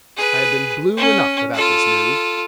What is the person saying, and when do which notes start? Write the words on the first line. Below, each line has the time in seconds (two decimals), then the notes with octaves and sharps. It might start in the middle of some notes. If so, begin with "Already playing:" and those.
I had been blue enough without this news.
0.17 G#4 B4
0.97 C#4
1.54 F4 A4